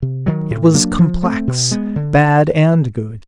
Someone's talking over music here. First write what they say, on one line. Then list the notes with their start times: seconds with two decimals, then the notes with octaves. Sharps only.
It was complex; bad and good.
0.02 C3
0.26 D#3 F#3
0.50 A2
0.74 F#3 A#3 D4
0.99 F3
1.23 A3 C4
1.47 B2
1.71 G#3 B3
1.96 D3